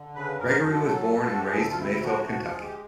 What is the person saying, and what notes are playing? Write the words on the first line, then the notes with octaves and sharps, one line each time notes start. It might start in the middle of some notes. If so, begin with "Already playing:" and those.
Gregory was born and raised in Mayfield, Kentucky.
Already playing: D3
C#3 B4
F#2 A#4
F#2 A4
F#3
F#2
F4
F#2 F#4
G4
G#4
D2 A4
F4
C3 E4
F3 F#4
D2 F#4
F4
G#3 G#4
G4